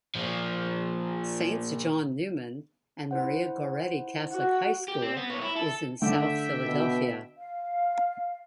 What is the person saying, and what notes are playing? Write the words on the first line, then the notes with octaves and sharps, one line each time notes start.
Saints John Neumann and Maria Goretti Catholic High School is in South Philadelphia.
A#2 F3
E4 C5 F#5
F#4
G4
C4
B3
A#2 C#5
E4
A4
D3 A3 E5 G5
B2
F5